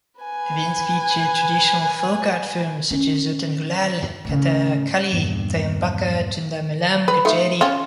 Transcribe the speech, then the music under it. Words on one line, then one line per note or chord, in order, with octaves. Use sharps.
Events feature traditional folk art forms such as Ottanthullal, Kathakali, Thayambaka, Chenda melam, Kacheri.
B4 G#5
C#4
A2 C#3
E2 G2 A#2
B4
A3 D#4 F4
C#4 F4